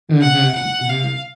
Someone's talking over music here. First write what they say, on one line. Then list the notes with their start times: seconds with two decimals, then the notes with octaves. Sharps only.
Mhm, mhm.
0.22 F#5
0.55 F#5
0.89 F5